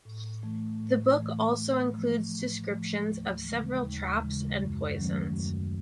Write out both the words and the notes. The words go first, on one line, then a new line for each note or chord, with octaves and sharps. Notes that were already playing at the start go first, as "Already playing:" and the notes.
The book also includes descriptions of several traps and poisons.
A2
E3 A3
A2
E3 A3
A2
F3 A3
A2
F3 A3
D#2
C#3 E3 G#3
D#2
C#3 E3 G#3
F#2
D#3 F#3 A3 C#4
F#2